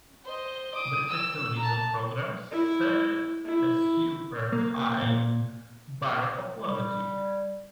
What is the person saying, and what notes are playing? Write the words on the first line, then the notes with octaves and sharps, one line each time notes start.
British television programs set a super high bar for quality.
C5 D#5
D6 D#6
E6
A5 A#5
E4
E4
A#3
A#2
G3